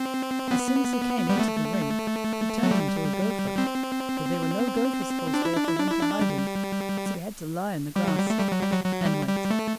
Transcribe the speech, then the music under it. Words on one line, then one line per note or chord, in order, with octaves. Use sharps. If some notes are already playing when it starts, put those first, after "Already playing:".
As soon as he came into the ring he turned into a gopher; but there were no gophers' holes there for him to hide in, so he had to lie in the grass and wait.
Already playing: C4
B3
G3
A3
F#3
G3
C4
D4
E4
D4
E4
D4
E4
D4
G3
G3
F#3
G3
A3
G3
F#3
G3
F#3
F#3
G3
G3
A3